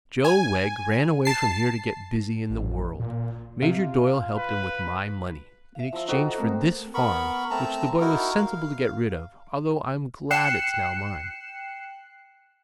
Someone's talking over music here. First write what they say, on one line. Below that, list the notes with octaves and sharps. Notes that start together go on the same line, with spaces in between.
Joe Wegg ran away from here to get busy in the world. Major Doyle helped him with my money, in exchange for this farm, which the boy was sensible to get rid of--although I'm glad it's now mine.
G#5
A5 C7
A1
A#2
C3 F4
B4
E5 F5
F3 A#5 E6
D#4 F#4 G4 A4 C5
A3 C4 A#4
B3 A#4 B5 C#6
A3 C4 A5 A#5
D#4 E4 F#4 A#4
F5
G5 F#6 C7 C#7 E7